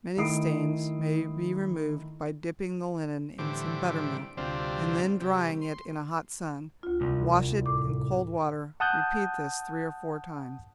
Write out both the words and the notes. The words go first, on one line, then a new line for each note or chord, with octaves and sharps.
Many stains may be removed by dipping the linen in some buttermilk, and then drying it in a hot sun; wash it in cold water; repeat this three or four times.
D#3 A3 E4 D#6 C7 D7
A2 D3 E3 G3 C4 D6
D2 C3 G3 C4 D4 F4
C3 G3
C6
D2 F4
C2
A2 D6
F#5 A5 D#6 F#6 G6